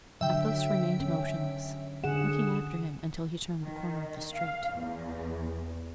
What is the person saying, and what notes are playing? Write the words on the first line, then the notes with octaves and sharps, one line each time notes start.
Athos remained motionless, looking after him until he turned the corner of the street.
D3 F#3 E5 G5
C#4
D3 G#4 F#5 E7
D#3
F5
E2